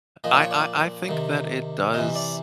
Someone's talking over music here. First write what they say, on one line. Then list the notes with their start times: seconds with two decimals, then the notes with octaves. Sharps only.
I I I think that it does
0.24 A#2 F3 D#5
0.33 D5
0.42 C#5
0.51 D5
1.09 C3 D#3
1.94 C3 E3 D#5
2.15 D5